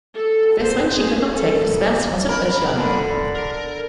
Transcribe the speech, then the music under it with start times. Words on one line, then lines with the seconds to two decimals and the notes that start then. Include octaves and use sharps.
This meant she could not take the spare slot of Oceania.
0.15 A4
0.61 C5
0.95 G#4
1.32 A4
2.29 A#4 B5
2.77 D3
3.35 A#4